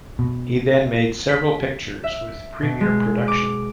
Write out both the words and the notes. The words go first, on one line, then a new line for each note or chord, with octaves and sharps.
He then made several pictures with Premiere Production.
B2
B6
E5
B2
G#3
D6